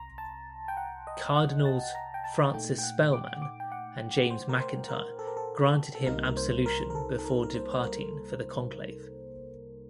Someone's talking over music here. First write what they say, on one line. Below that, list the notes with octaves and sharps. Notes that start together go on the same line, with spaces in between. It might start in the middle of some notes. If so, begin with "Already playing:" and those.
Cardinals Francis Spellman and James McIntyre granted him absolution before departing for the conclave.
Already playing: C2 C3 A#5 C6
A5
G5
F#5
D#5
F#5
A5
A#5
G5
A5
A#2 A3 D#4 G5
G5
F#5
D6
D6
G5
F#5
C5
A#4
C5
A#4
A4
A#4
A4
A4
C2 C3 G3 A#3 D#4 A#4
A#4
C5
A#4
A#4
A4
A4
A#4
A#4
C5
C5
A#4